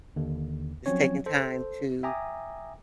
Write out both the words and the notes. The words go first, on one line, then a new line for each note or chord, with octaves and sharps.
just taking time to,
D#2 D3
F3 F#3 C4 C#4 C#5
A4 C5
E5 G5 G#5 A#5 D6 D#6